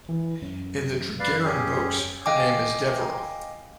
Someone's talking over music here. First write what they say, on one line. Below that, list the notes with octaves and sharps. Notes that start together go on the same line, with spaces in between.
In the Dragaeran books her name is Devera.
E3
F#2
B4 D5 F5
C#4 G4 G#4
D#5 F5 G5 G#5 D6